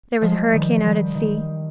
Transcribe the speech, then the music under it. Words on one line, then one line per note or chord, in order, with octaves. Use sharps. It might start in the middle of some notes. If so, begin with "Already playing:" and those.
There was a hurricane out at sea.
F3 G#3
D#3 G3
D#3 G3
D#3